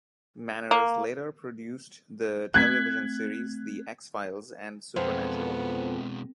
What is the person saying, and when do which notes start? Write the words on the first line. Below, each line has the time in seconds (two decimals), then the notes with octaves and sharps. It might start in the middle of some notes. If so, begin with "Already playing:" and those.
Manners later produced the television series "The X-Files" and "Supernatural".
0.71 A#3
2.54 A3 C4 F#6 G#6 B6
4.96 F2 B2 G#3 B3 C5